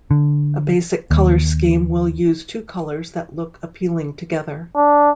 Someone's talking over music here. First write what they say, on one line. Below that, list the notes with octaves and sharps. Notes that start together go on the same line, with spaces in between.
A basic color scheme will use two colors that look appealing together.
D3
D#2
D4